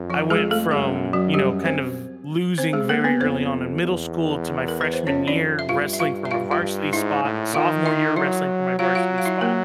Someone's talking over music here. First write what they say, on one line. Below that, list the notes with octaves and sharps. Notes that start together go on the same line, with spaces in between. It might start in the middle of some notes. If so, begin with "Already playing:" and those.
I went from, you know, kind of losing very early on in middle school to my freshman year wrestling from a varsity spot, sophomore year wrestling for my varsity spot,
Already playing: F2
F3 F4
G#3 G#4
A3 A4
F#2 G#3 G#4
F#3 F#4
G3 G4
C4 C5
C4 C5
G#3 G#4
A#3 A#4
B3 B4
F2 C4 C5
E2
A#4
B4
C5
F2 C#4 C#5
D4 D5
E5
G2 F4 F5
E5
F4 F5
E5
F4 F5
F4 F5
G#2 E4 E5
A2
D#3 F4 F5
E4 E5
F#3 E4 E5
F#3 F4 F5
F4 F5
F5
E4 E5
A#3 A#4